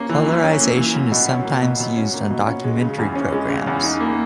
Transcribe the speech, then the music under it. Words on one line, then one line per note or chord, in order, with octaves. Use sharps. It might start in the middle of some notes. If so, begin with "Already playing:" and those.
Colorization is sometimes used on documentary programmes.
Already playing: A#3 C#4
E3
F#2
C#4
A#3
E3
F#2
B2
C#4
A#3
B2
B2
C#4
A#3
B2
C#4
G#3
C#3
E2
C#4
G#3
C#3
E2
D#4
A#3